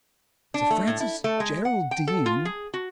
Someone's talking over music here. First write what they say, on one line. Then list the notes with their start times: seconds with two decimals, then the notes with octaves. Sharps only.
"Sir Francis Geraldine!"
0.54 D4
0.70 A3
0.87 A2
1.00 E4
1.24 A3
1.40 G#3
1.65 F#5
1.91 G5
2.07 A4
2.26 F4
2.45 G#4
2.74 F#4